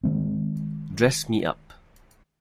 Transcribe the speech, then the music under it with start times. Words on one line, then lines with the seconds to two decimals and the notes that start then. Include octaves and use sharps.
Dress Me Up!
0.04 D#3 G#3 C4